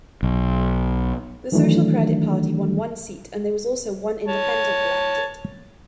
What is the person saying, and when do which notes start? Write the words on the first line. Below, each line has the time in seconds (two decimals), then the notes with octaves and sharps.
The Social Credit Party won one seat, and there was also one Independent elected.
0.23 B1
1.52 D#3 E3 F#3 A3 D4
4.28 C#5 A5